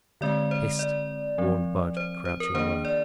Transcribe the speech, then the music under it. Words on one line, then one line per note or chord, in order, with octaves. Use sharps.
"Hist!" warned Bud, crouching low.
D3 G#3 C4 D5
C5
D5
F3 C4
C5
C5
A#4
D#3 A#3 D4 C5
D5